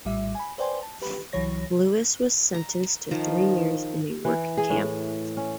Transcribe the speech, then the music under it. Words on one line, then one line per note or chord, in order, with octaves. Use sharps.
Lewis was sentenced to three years in a work camp.
A#1 A2 G3 E5
G#5 B5
B4 C5 D5 G5 G#5 C6
A5
G4 B4 B5
C2 E3 F#3 C#5 A#6
A#5
D#3 F3 A#5
E3
G#4
A2
C#4